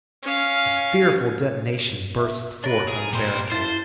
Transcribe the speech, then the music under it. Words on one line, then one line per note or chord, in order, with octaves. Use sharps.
A fearful detonation burst forth on the barricade.
C#4 F5
E5
D4 A#4 B4 C#5
G#4 A#4
A#2 G3 C5
E4 F4 C5 A5